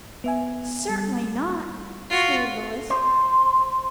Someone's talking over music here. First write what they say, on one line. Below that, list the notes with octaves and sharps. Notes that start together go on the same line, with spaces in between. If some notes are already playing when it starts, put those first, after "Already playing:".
"Certainly not," sneered Louis.
B3 E5 G#5
G3
F4 F#4
C5